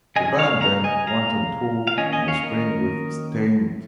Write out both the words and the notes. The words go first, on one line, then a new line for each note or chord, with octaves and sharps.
The band then went on tour in the spring with Staind.
C#3 G#3 C#4 D#5 G#5
C#5 F5
F5 A#5
D#5 G#5
F5 A#5
F5
D#3 A#3 C#4 D#5 G#5
D#5 G#5
C#5 F5
A#4 D#5